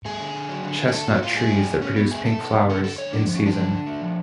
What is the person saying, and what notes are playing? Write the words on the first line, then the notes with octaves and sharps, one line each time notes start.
Chestnut trees that produce pink flowers, in season.
A3 G#4
D3
D3
F#3
D3
D3
G#4
A3 A4
A2 F#4
A2 F4
A3 G#4
F#3
A2
B2 C#4
B2 B3
A3 G#4
A3 A4
B2
B2
D3 A4
D3 A4
D3 C#5
F3 D4
D3
C#4
F3 D4
D3
D3
A3
F3